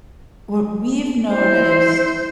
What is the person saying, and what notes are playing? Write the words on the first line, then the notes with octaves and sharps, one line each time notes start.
what we've noticed
E4 C5